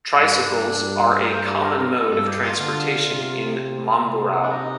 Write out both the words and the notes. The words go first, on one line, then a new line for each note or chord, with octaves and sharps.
Tricycles are a common mode of transportation in Mamburao.
G2 D4
A#4
C5
D5
A#4
A#4
A4
G2 A4
G4
F4
D3 F4
C3
C3
D4
D#4